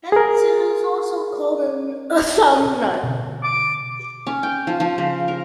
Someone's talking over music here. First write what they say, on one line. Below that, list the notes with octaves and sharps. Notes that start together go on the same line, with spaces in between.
Hence it is also called a thumb nut.
G#4 A#4
B2 D3
D6
C#4
G5
F3
F3
C#3
A#4